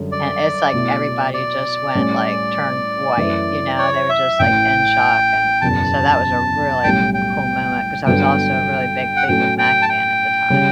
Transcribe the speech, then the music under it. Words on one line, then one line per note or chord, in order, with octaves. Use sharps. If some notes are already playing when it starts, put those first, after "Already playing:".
And it's like everybody just went, like turned white, you know? They were just, like, in shock, and so that was a really cool moment 'cause I was also a really big Fleetwood Mac fan at the time.
Already playing: F#2 D3 G3
D5
B2 A3 E4
D5
A2 G3 C#4
F#2 E3 A3 E4 B4
C#5
E5
A1 A2 E3 G5
F#1 E2 B2 A5
B1 A2 G3 C#4 G5
G5
G1 G2 D3 F#3 B3 G5
F#5
A2 F#3 C#4 F#4 A4 G5
G5
A5
G5
C#3 G3